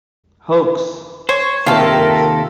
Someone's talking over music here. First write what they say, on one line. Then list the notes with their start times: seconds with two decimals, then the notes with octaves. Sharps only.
"Hoax," said a Voice.
1.29 C5 C#5
1.66 D#2 C3 D#3 F4 A4 A#4 E5 G5